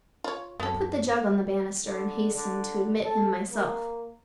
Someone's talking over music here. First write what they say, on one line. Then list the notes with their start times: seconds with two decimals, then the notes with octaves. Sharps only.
I put the jug on the banister and hastened to admit him myself.
0.24 F4 C#5
0.60 F#2 B3 A4
1.84 D3
2.35 D3
3.03 A4
3.51 A#3